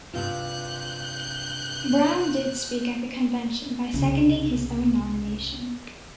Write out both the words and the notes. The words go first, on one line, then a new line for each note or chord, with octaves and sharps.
Brown did speak at the convention by seconding his own nomination.
G2 C3 F4 F#6 G6
C2 C#3